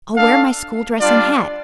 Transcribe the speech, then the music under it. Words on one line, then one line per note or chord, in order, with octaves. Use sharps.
I'll wear my school dress and hat.
D4 A4 F5
G3 D4 F4 D5